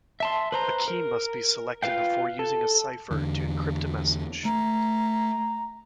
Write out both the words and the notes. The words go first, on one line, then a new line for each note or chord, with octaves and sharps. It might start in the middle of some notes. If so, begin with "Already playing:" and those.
A key must be selected before using a cipher to encrypt a message.
E5 A5 C6
B4 C5 A#5
A#4
F4 B4 F5 G5
A4
E2 D3
A3 A#5